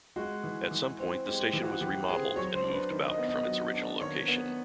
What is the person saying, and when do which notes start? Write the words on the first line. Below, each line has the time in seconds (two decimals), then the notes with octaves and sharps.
At some point, the station was remodeled and moved about from its original location.
0.16 G#3 F#4
0.44 E3
0.71 E3
0.99 C4
1.26 G#3 G4
1.53 E3
1.63 F#4
1.81 E3 G4
2.08 C4 G#4
2.36 F#3 C#5
2.54 C5
2.63 D4
2.72 B4
2.91 D#3 B4
3.09 D#5
3.18 B3
3.28 D#5
3.46 F#3
3.73 D4
4.01 D#3 C#5
4.28 B3